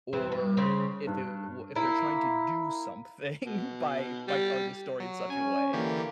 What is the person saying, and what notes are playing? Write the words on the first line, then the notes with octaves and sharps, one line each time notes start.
or if it wa if they're trying to do something by by telling the story in such a way.
F2 E3 C4
G2
C#3 C4
G2
A#3 E4
B2
G3
F#3
C#4 G#5
D3 E3 A#3 G4